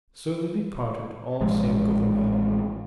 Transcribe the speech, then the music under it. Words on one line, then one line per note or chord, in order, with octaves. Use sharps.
So they departed all save Gouvernail.
A1 F3 G#3